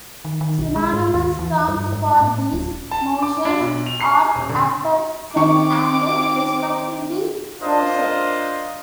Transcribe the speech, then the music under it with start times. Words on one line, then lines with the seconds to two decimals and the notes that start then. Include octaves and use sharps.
Synonymous terms for these notions are afterset and respectively foreset.
0.25 D#3
0.41 D#3
0.59 B1
0.76 G#3
0.93 G#2
1.14 D#2
1.39 E3
1.68 G2
1.92 G#2
2.20 A2
2.53 D1
2.91 A5
3.22 D6
3.45 D4
3.60 B1
3.86 F7
4.01 C7
4.19 G#5
4.35 D#1
4.49 D3
5.36 D#3 C4 C#6 D6
7.61 D4 F4 A#4 C5 D#5 F5